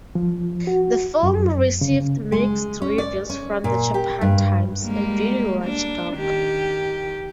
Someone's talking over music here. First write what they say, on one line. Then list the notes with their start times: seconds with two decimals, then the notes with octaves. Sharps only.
The film received mixed reviews from "The Japan Times" and "Video Watchdog".
0.15 F3
0.67 F#4
1.23 F#2
1.81 C#3
2.32 G#3
2.82 C#4
2.98 D5
3.30 C#4
3.64 A#2
3.94 G4
4.21 G2
4.82 G3 G#3 A#3
5.64 A#3 D4
6.13 D#3 G4